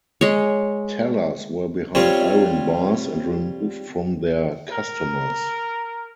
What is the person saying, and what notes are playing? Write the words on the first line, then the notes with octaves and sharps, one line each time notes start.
Tellers were behind iron bars and removed from their customers.
G#3 C#5
G3 C4 F4 C#5
A#4